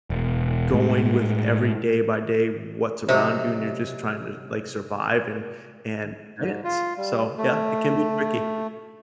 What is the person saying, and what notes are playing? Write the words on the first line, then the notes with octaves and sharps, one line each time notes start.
going with every day by day what's around you, and you're just trying to, like, survive and and advance. So, yeah, it can be tricky.
E1
A2 G#3
F#2 C3 D#4 F#4 C5
G#2
F4
G3
A3